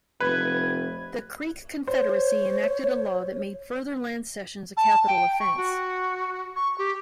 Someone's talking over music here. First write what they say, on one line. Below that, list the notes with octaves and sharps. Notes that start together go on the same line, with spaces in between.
The Creek Confederacy enacted a law that made further land cessions a capital offense.
F1 B4 G#6
C5 C#5
A5
G5
C#6
F#4
C#6
G4